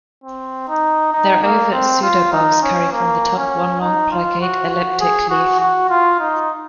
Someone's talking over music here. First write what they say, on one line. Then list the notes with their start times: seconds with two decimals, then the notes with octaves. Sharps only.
Their ovate pseudobulbs carry from the top one long, plicate, elliptic leaf.
0.24 C4
0.69 D#4
1.13 D#4
1.43 A#3
1.73 C4
2.02 F4
2.32 D#4
2.62 C#4
2.92 A#3
3.36 C#4
3.81 D#4
4.11 F4
4.41 F#4
4.70 F#4
5.00 G#4
5.30 F#4
5.60 F#4
5.90 F4
6.20 D#4